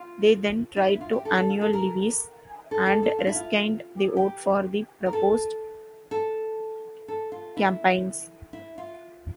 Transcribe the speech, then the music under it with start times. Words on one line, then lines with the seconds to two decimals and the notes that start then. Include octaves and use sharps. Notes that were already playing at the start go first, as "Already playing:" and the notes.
They then tried to annul levies and rescind the vote for the proposed campaigns.
Already playing: F4
0.77 E4
0.88 E4
1.01 F4
1.13 G4
1.25 A4
1.37 A4
1.49 F4
1.61 A4
1.73 A#4
2.71 A4
2.86 A4
3.03 A4
3.19 F4
3.27 E4
3.35 F4
4.17 G4
5.06 A#4
5.13 A4
6.11 A4
7.08 A4
7.32 F4
7.57 E4
8.53 E4
8.78 F4